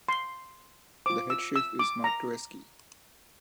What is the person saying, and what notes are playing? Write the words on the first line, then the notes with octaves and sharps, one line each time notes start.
The head chef is Mark Twersky.
C6
F4 C5 D6
E6
E6
D6
A#5